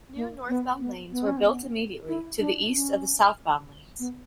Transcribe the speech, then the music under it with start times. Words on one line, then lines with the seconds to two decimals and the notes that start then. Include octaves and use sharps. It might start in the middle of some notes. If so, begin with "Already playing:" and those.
New northbound lanes were built immediately to the east of the southbound lanes.
0.16 A#3
0.48 B3
0.80 B3
1.12 B3
1.25 C#4
1.38 B3
2.08 E4
2.40 D4
2.71 C#4
3.99 B3